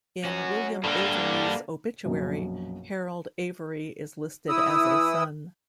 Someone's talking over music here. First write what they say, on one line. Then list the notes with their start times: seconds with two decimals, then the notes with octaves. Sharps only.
In William Avery's obituary, Harold Avery is listed as a son.
0.24 F#3 C#4 F#4
0.84 G2 D3 G3 A#3 D4
2.05 A#1 F#2 B2
4.49 E3 E4 D#6 E6